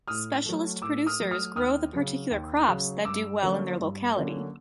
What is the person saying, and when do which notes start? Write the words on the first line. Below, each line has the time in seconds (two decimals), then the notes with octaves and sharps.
Specialist producers grow the particular crops that do well in their locality.
0.08 A2 D#6 F6
0.46 F#3 A3
0.82 A2 D6 E6
1.07 D#6 F6
1.20 F#3 A3
1.31 D#6 F6
1.56 D#2 D#6 F6
1.93 C#3 F#3
2.31 D#2
2.68 C#3 F#3
3.05 G2 D6 E6
3.42 D3 F#3 A#3 C#4
3.80 G2
4.16 D3 F#3 A#3 C#4